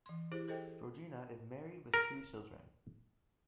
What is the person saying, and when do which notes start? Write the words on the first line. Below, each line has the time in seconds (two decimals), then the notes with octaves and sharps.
Georgina is married with two children.
0.06 E3 C6
0.32 E4 G4 G#4 C5
0.48 G#4 A4 C5 D#5 G5
1.94 A#4